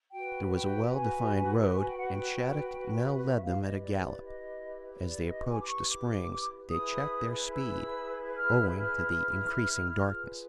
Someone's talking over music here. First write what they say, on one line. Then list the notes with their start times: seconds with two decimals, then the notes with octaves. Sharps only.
There was a well defined road and Shattuck now led them at a gallop. As they approached the springs they checked their speed, owing to the increasing darkness.
0.12 F#4 B4 G5
0.53 G5
0.94 G#5
1.77 G#5
1.88 G5
1.99 F#5
2.09 G5
3.36 E5
3.42 E4 G4 B4 F5
3.62 D#5
3.83 D5
4.03 D5
4.25 D#5
5.07 D5
5.27 D#5
5.48 G#5
5.60 D6
5.68 C#6
5.89 D6
6.71 E4 G#4 B4 D#6
7.53 E6
8.36 F6
8.77 F6
10.01 F4 G#4 B4